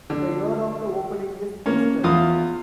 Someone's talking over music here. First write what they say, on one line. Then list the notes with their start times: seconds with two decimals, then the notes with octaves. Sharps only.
The year of the opening is listed.
0.10 D3
1.66 A#3 C#4
2.04 E2 F4 F5 D#6